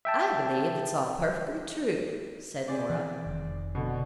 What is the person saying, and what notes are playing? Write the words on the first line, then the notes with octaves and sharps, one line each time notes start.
"I believe it's all perfectly true," said Nora.
E5 G5 A5
C4 G#4 D5
E3
F1 D#3
B2 D3